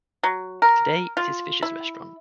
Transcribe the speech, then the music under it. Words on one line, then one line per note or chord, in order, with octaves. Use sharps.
Today it is Fischer's Restaurant.
F#3
A#4
F4
E4